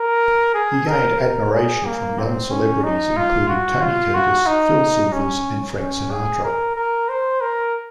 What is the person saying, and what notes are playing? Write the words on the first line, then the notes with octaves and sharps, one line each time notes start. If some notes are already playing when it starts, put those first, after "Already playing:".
He gained admiration from young celebrities, including Tony Curtis, Phil Silvers, and Frank Sinatra.
Already playing: A#4
G#4
A#4
A#4
G#4
A#3
C4
C#4
D#4
F4
F#4
F4
F#4
D#4
C#4
C#4
G#4
A#4
A#4
C5
A#4